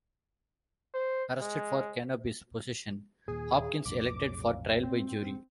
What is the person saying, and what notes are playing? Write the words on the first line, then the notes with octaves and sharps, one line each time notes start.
Arrested for cannabis possession, Hopkins elected for trial by jury.
C5
G#3
D#2 A#2 G#4
B1 F2 A2 D6
C4